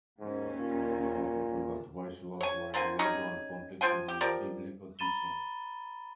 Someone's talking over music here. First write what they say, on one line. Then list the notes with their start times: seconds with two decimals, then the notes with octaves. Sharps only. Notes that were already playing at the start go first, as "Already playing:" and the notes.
He also felt that Welsh laws were illogical and conflicted with Biblical teachings.
0.20 D#2 G#2 C#4
0.58 A#2
2.41 C#5 G#5
2.74 D3 A#3 C4 G#5
2.99 C#4 D#4 G4 G#4
3.81 F3 C5 G5 G#5
4.08 G4
4.21 F3 G4 A#4 D5
4.99 A#5 B5 A6 D#7 E7 G7